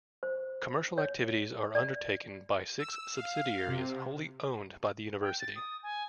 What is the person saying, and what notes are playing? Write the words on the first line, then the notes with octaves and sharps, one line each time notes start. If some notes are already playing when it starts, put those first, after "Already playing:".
Commercial activities are undertaken by six subsidiaries wholly owned by the university.
C5
C#5
D5
E6
F5
C3
G5
A6
D#6
G#5